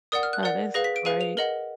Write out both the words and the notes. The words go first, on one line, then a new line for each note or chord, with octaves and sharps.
Oh, that's great.
A#4 D5 F#5 D#6
F6
F#6
A#4 D5 F#5
G#4 B4 F5 A#6
B6
D7
G#4 B4 F5 D#7
F7
A#4 D#5 F#5 F#7